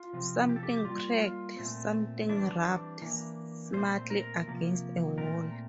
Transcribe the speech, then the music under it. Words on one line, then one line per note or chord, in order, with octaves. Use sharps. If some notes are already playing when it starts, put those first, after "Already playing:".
Something cracked, something rapped smartly against a wall.
Already playing: F4
C3 F3 C4
G4
A4
G4
A2 G3 A#3 F4
F4
A#2 A3 C4
E3 G3 C4 D4
E3 A#3
A#2 A3 C4 C5
A#4
C3 F3 A#3
A#2 A3 C4 A#4